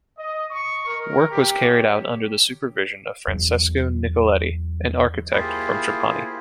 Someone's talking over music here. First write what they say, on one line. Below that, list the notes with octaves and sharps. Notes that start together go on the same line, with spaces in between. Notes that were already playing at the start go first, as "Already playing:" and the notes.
Work was carried out under the supervision of Francesco Nicoletti, an architect from Trapani.
D#5
C#6
A#4
G4
C#5
E2 F#3
A#3 E4 F4 G4 G#4 C5